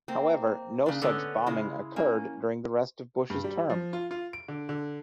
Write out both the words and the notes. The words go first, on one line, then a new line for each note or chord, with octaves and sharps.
However, no such bombing occurred during the rest of Bush's term.
A#3 C4
C#3 D4
D3 B3 C#4
C#3 G#3 E4 G#4
A#3 C#4
G2
G3
F3
F4
F4
D7
D3
D3